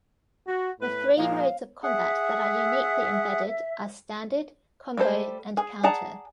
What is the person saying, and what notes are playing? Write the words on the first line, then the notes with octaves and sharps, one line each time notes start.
The three modes of combat that are uniquely embedded are "standard", "combo" and "counter".
F#4
A2 B4
A#2 F3 G#3 F5
G#4 E5 F#5
G3 A3 A4 C5
G#4
G#4 D5 F#5 A5 A#5